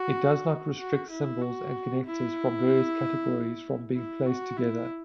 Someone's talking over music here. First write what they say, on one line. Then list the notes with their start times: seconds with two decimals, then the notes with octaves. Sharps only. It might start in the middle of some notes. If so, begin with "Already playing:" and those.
It does not restrict symbols and connectors from various categories from being placed together.
Already playing: F#4
0.79 F#4
1.10 E4
1.42 F#4
2.05 E4
3.95 E4
4.26 F#4
4.57 E4